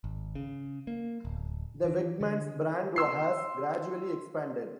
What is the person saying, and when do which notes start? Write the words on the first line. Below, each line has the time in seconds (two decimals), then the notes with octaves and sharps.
The "Wegmans" brand has gradually expanded.
0.04 G#1
0.35 C#3
0.87 A#3
1.25 D1
1.84 E3
2.21 D3
2.96 C6 E6 C7